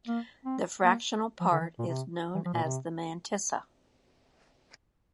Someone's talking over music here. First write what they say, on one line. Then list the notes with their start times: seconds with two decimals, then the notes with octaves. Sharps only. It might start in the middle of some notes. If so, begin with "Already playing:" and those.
The fractional part is known as the mantissa.
0.08 A#3
0.45 C4
0.84 A#3
1.41 F3
1.52 D3
1.60 E3
1.79 A#2
1.87 C3
2.35 E3
2.45 F3
2.54 A#2
2.63 C3